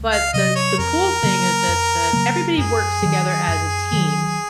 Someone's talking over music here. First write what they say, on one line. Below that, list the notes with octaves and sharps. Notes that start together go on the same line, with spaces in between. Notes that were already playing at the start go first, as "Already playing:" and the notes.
but the the cool thing is that that everybody works together as a team,
Already playing: C#2
F5
C3 F#3 D#5
C#5
F2 A#4
C#3 F#3 A#3
F2
C#3 F#3 A#3
F#2 G#4
D#3 F#3
F#2
D#3 F#3